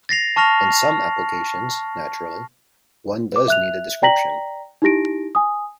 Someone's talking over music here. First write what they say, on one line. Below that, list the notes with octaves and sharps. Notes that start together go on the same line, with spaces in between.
In some applications, naturally, one does need a description.
A6 A#6 C7 F7
A5 C#6 F6 A#6 F7
B4 D6
E5 F#6 F7
D5 G5 A#5 A#6 B6 F#7
D#4 E4 G4 A#6 D7
G#5 D#6